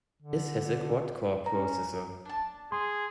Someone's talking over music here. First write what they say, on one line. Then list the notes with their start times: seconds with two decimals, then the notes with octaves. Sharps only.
This has a quad-core processor.
0.22 D3
1.46 C#4 A#5
2.25 D4 A5
2.72 G#4 C6